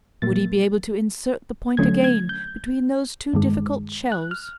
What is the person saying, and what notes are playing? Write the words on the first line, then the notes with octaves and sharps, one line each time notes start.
Would he be able to insert the point again between those two difficult shells?
A#2 F#3 A#3 A6
D3 F#3 A3 C#4 G#6
G#6
G6
G2 D#3 G#3
F#6
F6